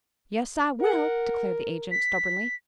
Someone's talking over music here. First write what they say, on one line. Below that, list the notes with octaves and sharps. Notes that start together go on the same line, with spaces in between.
"Yes, I will," declared the agent, stubbornly.
A#4 F#5
B6